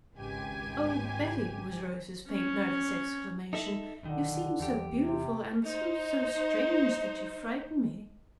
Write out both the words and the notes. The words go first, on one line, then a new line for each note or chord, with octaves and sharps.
"Oh, Betty!" was Rosy's faint nervous exclamation, "you seem so beautiful and--so--so strange--that you frighten me."
G#1 C#2 G4 G#5
C#4
D#4 A4 E5
B1 D3 D#3
E2 G4
C3
D#4 C5